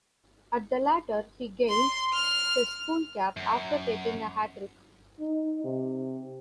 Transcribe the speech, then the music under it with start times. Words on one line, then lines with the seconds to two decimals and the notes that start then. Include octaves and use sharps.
At the latter, he gained his school cap after taking a hat trick.
1.69 C6
2.14 F6
3.37 F#2
5.20 D#4
5.64 C3